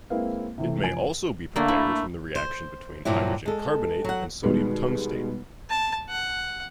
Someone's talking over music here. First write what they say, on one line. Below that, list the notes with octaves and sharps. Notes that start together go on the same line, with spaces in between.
It may also be prepared from the reaction between hydrogen carbonate and sodium tungstate.
G#3 A#3 C4 E4 B4 F5
C3 E3 A3
F1 F3 G#5 D7
D3 A3 A#3
E4
C5
G2 A#2 F3 F#3 E4
G#3 A4
F#3 F#5
B2 D#3 G3 G#3 B3
A5
F#5